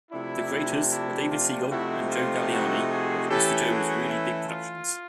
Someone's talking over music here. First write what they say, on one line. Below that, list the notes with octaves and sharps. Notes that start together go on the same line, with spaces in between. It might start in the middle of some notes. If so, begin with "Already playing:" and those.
The creators were David Siegel and Joe Galliani of Mr. Joe's Really Big Productions.
C3 F3 A3 D4 E4
E4
F4
C3 F3 A3 C4 D#4 E4 F#4
F4
E4 F#4
F#4 G#4
E3 A3 C#4 G4 A4
F#4 G#4
E4
F4